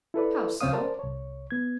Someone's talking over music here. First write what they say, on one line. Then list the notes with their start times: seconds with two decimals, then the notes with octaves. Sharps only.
"How so?"
0.14 E4 A4 B4 D5
0.61 C#2 C#3 C4 C#5 F5 D#6
0.73 A#4 C5 D5 A5
0.99 C2 C#5
1.51 B3 G#6